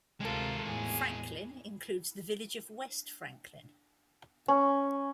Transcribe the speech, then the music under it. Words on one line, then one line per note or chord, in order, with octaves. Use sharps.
Franklin includes the village of West Franklin.
D2 C3 G#3 F4 A4 A#4
E2 A2 G#4
C#4